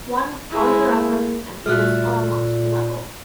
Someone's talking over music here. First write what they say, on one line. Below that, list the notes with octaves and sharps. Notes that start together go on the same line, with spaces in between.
One further effort and he was almost level.
G#3 E4
A#3
A#2 G3 F#4 A4 E5 F6 F#6